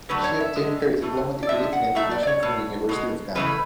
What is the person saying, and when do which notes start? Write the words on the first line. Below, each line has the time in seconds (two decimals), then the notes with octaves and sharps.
She obtained her Diploma degree in Education from University of Ghana.
0.09 D3 F#3 A3 B4
0.24 C#5
0.40 E5
0.56 D3 G#3
1.02 B2 A3
1.43 D5
1.49 A2 G#3 E5
1.73 F#5
1.95 B2 F#3 A3 E5
2.11 D5
2.23 D5
2.27 C#5
2.43 B2 A3
2.89 B2 G#3
3.35 C#3 E3 A3 B4